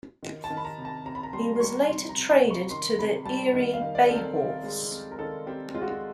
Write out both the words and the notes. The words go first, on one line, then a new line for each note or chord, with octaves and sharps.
He was later traded to the Erie BayHawks.
D#3
A5
D#3
B5
A#5
C3
A5
C3 A#5
B5
A#5
G3 C6
C6
G3 C#6
C3 C6
A#5
C3
B5
C3
C#6
D#3 C6
C3 B5
G3 A5
D#3
F5
D#3
D5
C4 A4
A#4
D#3
G#3
C4
A#4
D#3 A4
C4 G4
G#3 F4
F#4
F4